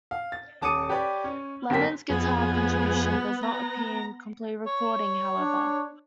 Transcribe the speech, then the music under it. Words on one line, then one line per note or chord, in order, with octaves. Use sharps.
Lennon's guitar contribution does not appear on the completed recording, however.
F5
A6
D#1 A5 D6 D#6 C#7 D#7
G4 B4 C#5 D5
C#4
G1 F#2 G4 A#4 C6 B6
F2 B3 G#4
A#5
C#5
D4